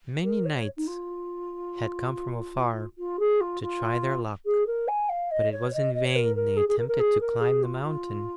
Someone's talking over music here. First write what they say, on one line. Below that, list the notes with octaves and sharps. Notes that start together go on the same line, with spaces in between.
Many knights had come from afar to try their luck, but it was in vain they attempted to climb the mountain.
A#4
C#5
D#4
F4
F4
G#4
F4
F4
G#4
A#4
G#5
F5
D#5
C#5
D#5
D#5
C#5
A#4
A#4
G#4
G#4
A#4
A#4
G#4
A#4
G#4
F4
F4